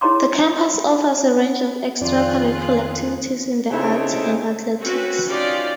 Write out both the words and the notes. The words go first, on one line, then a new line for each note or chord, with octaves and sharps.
The campus offers a range of extra-curricular activities in the arts and athletics.
E4 G#4 C#5 A#5 C6 D6
F2 D#3 F4 G#4 D5 F#6
C#3 C4 D#4 E4 A4
C4 C#4 F#4 B4
C#4 D#4 F4 G4 D5